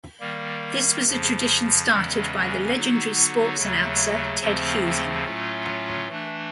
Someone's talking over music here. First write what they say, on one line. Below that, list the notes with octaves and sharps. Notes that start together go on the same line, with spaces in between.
This was a tradition started by the legendary sports announcer Ted Husing.
D#3 G3 A#3
F2 C#3 F3
E2 C#3 E3 G#3 C#4
D3 F#3 B3 D#4 F#4
D#2 C#3 F#3 A3
D#2 C#3 F3 A3 C4
A2 F#3 A3 C#4 F4
E3 A3 D4